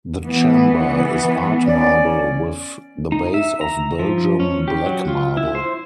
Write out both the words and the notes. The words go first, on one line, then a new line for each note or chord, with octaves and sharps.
The Chamber is art marble with the base of Belgium black marble.
E3 B3
C#4 D5
D#4
E5
A#5
F3
C#4
G4
F#3
F4
E4
C5